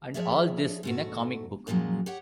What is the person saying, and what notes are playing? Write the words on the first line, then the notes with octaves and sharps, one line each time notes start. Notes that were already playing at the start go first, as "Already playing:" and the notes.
And all this in a comic book!
F3 G#4 C#5 D5 E5
G#2 A3 F#4
F#2 A#2 F3 F#3 G#3
G4 C#5 F#5